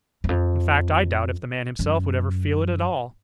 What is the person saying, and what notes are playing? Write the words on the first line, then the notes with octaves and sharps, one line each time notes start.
In fact, I doubt if the man himself would ever feel it, at all.
E2
F2
F#2